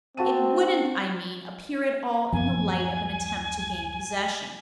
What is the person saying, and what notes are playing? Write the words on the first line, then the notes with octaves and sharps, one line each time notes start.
It wouldn't, I mean, appear at all in the light of an attempt to gain possession.
C4 F#4 A5 D#7
D1 F#2 F3 G#5